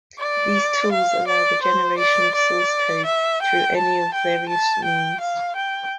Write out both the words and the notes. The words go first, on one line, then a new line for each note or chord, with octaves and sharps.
These tools allow the generation of source code through any of various means.
D5
F5
D5
C5
D5
D5
E5
G5
A5
G5
A5
G5
F5
G5